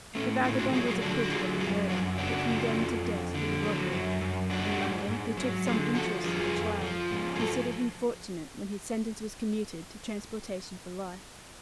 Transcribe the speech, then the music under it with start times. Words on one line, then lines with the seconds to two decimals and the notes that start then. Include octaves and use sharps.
The vagabond was acquitted of the murder, but condemned to death for the robbery, and London, who took some interest in the trial, considered him fortunate when his sentence was commuted to transportation for life.
0.15 A2 A3 C#4
0.44 A2 C#4 F4
0.59 D4 F#4
0.73 F#3 F4 G#4
0.87 F4 G#4
1.02 D3 D4 F#4
1.22 F#4
1.31 F#3 F4 G#4
1.60 F#2 F4 G#4
1.89 F#2 D4 F#4
2.18 C#3 D4 F#4
2.47 F3
2.76 F2
3.05 F2
3.34 D3
3.63 F#3
3.93 F#2
4.21 F#2
4.50 F#3 D4 F#4
4.79 G#2
5.09 G#2
5.37 F#3
5.66 D3 F4 G#4
5.94 F3 F#4 A4
6.24 F2 F4 G#4
6.53 F2
6.82 F3
7.11 G#2
7.36 G#4
7.40 F#4 A4